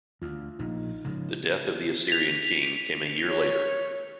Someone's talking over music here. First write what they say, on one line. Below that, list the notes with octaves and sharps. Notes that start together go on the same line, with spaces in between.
The death of the Assyrian king came a year later.
D2 F4
A#1 A#2 D#4
C#3 F3 G#3
B6 F7
C#5